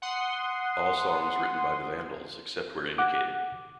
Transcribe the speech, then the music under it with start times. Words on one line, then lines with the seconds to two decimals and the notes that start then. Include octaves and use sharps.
All songs written by The Vandals except where indicated.
0.02 F#5 C6 D#6
2.98 F#5 D6